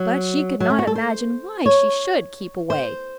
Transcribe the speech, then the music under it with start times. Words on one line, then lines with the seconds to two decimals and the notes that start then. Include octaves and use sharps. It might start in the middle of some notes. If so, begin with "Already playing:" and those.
But she could not imagine why she should keep away.
Already playing: F#3
0.60 F#3
0.70 A3
0.79 F#4
0.87 A4
0.95 C5
1.66 C#5
2.70 C5